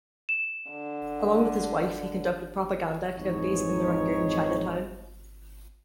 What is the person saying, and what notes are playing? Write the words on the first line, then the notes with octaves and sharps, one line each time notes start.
Along with his wife he conducted propaganda activities in the Rangoon Chinatown.
E7
D3
F2 G#2 E3 D#4 C#5 D#5